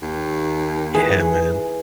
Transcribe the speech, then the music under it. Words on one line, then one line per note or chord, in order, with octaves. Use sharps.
Yeah, man.
D#2
E3 G#4